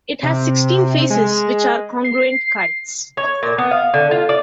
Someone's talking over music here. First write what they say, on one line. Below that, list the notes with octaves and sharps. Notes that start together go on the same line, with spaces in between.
It has sixteen faces which are congruent kites.
C3
G#3
C7
C#5
A#2
B3
F5
D3
F4
D5